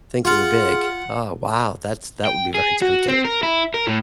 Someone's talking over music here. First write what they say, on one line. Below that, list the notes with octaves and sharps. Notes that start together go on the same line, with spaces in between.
thinking big. Oh, wow, that's that would be very tempting.
F4 G#4 F#5 F6
G5
G#4
F#4
C4
A#4
E4
A#4
A2